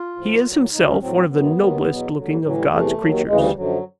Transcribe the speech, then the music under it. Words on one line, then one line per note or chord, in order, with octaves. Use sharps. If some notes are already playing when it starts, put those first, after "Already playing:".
He is himself one of the noblest looking of God's creatures.
Already playing: F4
A2 F3
A2 F#3
D2 C#3 F#3 D#4
C#4
A2 F#3 C4
C4
F#2 D#3 F#3 B3
D#2 D#3 F#3
E2 B2 F#3
D#2 D3 F#3
A2 E3 F#3
G3
E2 C3 E3 A3
D#2 D#3 F#3
D2 C#3 E3 G#3
G3
F#2 D3 F3 F#3